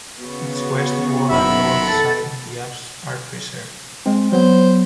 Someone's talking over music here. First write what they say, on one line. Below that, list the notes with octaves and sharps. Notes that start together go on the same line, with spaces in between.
Its west wall and north side of the apse are preserved.
C#3 B3 F#4
F#1 D#3 E5 F#5 B5
A4
G#3 C4
F#3 B3 C5